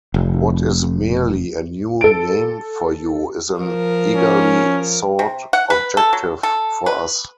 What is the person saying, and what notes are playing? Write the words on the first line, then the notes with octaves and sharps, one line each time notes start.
What is merely a new name for you is an eagerly-sought objective for us.
F1
A4 D7
F3 A#4
C#4
C3
F#5
B4
A4
F#3
A4
B4